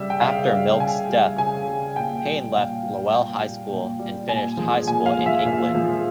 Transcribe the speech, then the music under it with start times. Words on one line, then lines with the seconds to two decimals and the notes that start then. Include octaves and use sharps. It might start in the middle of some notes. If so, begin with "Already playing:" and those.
After Milk's death, Payne left Lowell High School and finished high school in England.
Already playing: C#3 G3 E5
0.10 G5
0.21 C#3 F5
0.50 G3
0.80 C#3 G#5
1.09 G3
1.38 C#3 G#5
1.68 G3
1.96 A#2 G5
2.25 G3
2.54 A#2 F5
2.83 G3
3.12 A#2 G5
3.42 G3
3.70 A#2
3.99 G3
4.29 A#2 G#5
4.57 F3 G#3
4.87 A#2 G#5
5.06 F5
5.16 F3 G#3
5.26 E5
5.45 A#2
5.75 F3 G#3